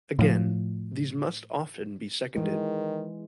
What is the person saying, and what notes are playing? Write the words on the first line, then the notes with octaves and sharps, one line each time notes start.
Again, these must often be seconded.
A2 F3
D#3 E3 G#3